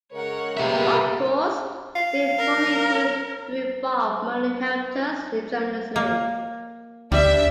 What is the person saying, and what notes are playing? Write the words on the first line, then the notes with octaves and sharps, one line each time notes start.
Of course, being formally introduced through Bob Marley helped us tremendously.
C#3 G#3 A#4 C#5 F#5
G3 A#3 B3 G4 E5
F5
A#4
A#3
D2 G3 D4 E5